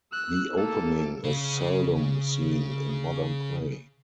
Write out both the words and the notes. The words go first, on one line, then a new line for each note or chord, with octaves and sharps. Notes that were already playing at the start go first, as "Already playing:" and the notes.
The opening is seldom seen in modern play.
E6 F#6
A#3 A4
C#3 F5